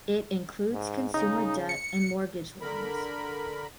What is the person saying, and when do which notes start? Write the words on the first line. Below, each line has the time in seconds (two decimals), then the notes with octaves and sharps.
It includes consumer debt and mortgage loans.
0.72 G#2
1.14 C#3 D#4
1.69 C#7
2.61 D3 A#4 B5